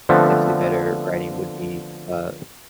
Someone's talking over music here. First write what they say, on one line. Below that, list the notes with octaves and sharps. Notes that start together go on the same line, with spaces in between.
definitely better writing would be, uh,
D3 F3 A3 B3 C4